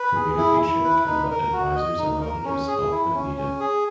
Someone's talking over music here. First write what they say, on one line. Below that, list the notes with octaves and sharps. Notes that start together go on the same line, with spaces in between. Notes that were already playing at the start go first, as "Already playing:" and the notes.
Communication can let advisors and auditors help when needed.
Already playing: B4
G#4
E4
E4
B4
D#4
A#4
F#4
D#5
D#4
A#4
C#4
G#4
E4
C#4
C#4
G#4